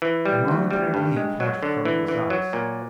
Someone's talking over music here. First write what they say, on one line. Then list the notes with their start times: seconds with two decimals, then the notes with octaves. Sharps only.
A momentary gleam flashed from his eyes.
0.02 E3
0.25 G3
0.48 D2
0.71 G3
0.94 G2
1.16 G#3
1.40 F#3
1.63 D3
1.85 E3
2.08 E3
2.30 F#3
2.53 A#2